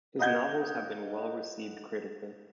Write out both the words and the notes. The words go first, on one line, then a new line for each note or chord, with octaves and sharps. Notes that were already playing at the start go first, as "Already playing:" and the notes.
His novels have been well-received critically.
D#5 F#5 G6 G#6